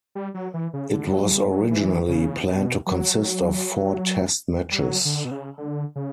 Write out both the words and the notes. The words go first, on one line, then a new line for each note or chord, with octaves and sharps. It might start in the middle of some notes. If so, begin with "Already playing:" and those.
It was originally planned to consist of four Test matches.
G3
F#3
E3
C#3
D3
F#3
F#3
G3
F#3
E3
C#3
B2
F#3
G3
F#3
D3
B2
C#3
D3
C#3